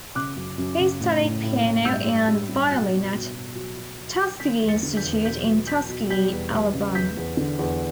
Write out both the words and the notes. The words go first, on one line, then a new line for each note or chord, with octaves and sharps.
He studied piano and violin at Tuskegee Institute in Tuskegee, Alabama.
C#3 D6 F#6
F#2
F#2
C#3
A2
A2
A2
A2
G2 E6 G6
G3
G2
G2
B2 F#6 A6
B2
B2
B2
F#3
F#3
F#3
F#3
D3 G6 B6
E2
A6 C#7
D3
G6 B6
E2
B2 G6 B6
F#3
F#3 G6 B6
B2
G3 G6 B6
E2
G3
C#3
E2 G6 B6
E2
D3
E2